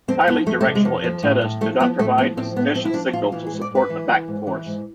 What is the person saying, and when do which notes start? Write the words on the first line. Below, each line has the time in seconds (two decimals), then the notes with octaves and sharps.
Highly directional antennas do not provide a sufficient signal to support a back course.
0.08 F2 C4
0.27 F3 B3
0.46 F2 A3
0.61 A3
0.66 C3
0.75 G#3
0.85 F2
1.04 F3
1.23 A2
1.41 A2
1.61 F3 A3
1.80 F3 B3
1.99 A2 A3
2.18 F3 B3
2.37 A2 C4
2.56 A2 B3
2.75 F3 C4
2.85 E4
2.94 F3 D4
3.13 A2 F4
3.32 E3 F4
3.47 G#4
3.51 G#2
3.61 D5
3.71 G#2 B4
3.90 E3
4.08 E3
4.28 G#2
4.47 E3
4.66 G#2